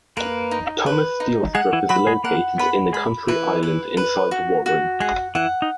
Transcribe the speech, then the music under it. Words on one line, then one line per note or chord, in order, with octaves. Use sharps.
Thomas Steel Strip is located in a county island inside Warren.
A#3 A#4 B4
D#4
B4
D#4
G#3 G#4 F#5
E3 E4
F#3 F#4 B5
G#3 G#4
A#3 A#4 F#5
B3 B4 B5
G#3 G#4 B5
E3 E4 B4
B4
B4
F#4
F#4
G#3 G#4 F#5
E3 E4 F#5
D#4